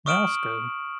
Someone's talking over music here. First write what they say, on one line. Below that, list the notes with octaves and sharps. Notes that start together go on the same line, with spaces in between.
That's good.
C#6 D#6 F6 D7 E7 F#7